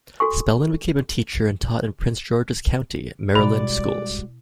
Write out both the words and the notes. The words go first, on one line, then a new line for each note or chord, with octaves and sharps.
Spellman became a teacher, and taught in Prince George's County, Maryland, schools.
F#4 A4 G#5 C#6
B2 G3 G#3 E4 F#4 D5 B5